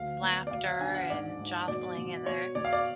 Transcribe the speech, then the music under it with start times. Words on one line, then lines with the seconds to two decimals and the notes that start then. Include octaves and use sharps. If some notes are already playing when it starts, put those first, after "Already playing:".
laughter and jostling in there.
Already playing: D2 F5
0.22 B3
0.47 D5
0.51 B2 F5
0.66 F5
0.80 D4 G#5
0.95 F#5
1.10 G#2 D5
1.38 G#2
1.68 B2 D5
1.97 B2
2.26 B2 C#5
2.55 B2 D5
2.65 F5
2.73 D5